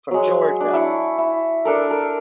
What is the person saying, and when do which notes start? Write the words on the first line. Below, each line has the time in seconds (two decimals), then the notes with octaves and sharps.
from Georgia.
0.11 F#3 G#3
0.60 D4
0.73 E4 C#6
1.18 E4
1.65 D4 A4 A#4
1.91 A#4